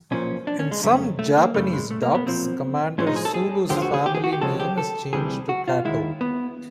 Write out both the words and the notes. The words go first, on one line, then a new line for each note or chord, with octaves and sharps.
In some Japanese dubs, Commander Sulu's family name is changed to Kato.
B1 A#2 F3 C#4
D4
C#4
G#3
F2 C#3 F#3 A3
A3
A#3
F#2 C#3 E3 G3 A3
G#3
A3
A#3
B3
B1 A#2 F3 C4
A2 F3 G#3 C#4
D#4
G#4
A4
G#4
D#2 D3 F3 G#3 G4
F4
F#4
G#4
G4
G#4
F#4
G4
C#2 C#3 F3 G#3 A4
G4
A4
D2 C3 E3 G3 G#4
F#4
F4
D#2 D#3 G#3 E4
B3